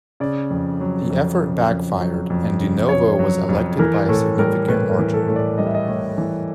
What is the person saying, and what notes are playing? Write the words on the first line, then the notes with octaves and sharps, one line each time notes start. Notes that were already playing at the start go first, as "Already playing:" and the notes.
The effort backfired, and DiNovo was elected by a significant margin.
C#3 D5
F2
F#3
F2
C#3
F2
F#3
F2
C#3
F2 C#5
F#3
F2
E3 A#4
A2 A4
G3 A#4
A2 B4
A#4
E3
A4
A2
D5
G3 D#5
E5
D#5
A2
E3